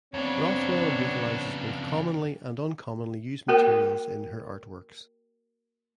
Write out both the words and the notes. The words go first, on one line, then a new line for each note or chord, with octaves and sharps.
Rothwell utilises both commonly and uncommonly used materials in her artworks.
F2 C#3 F#3 B3 C4 D4 C#5
A#3 F#4 A#4 G5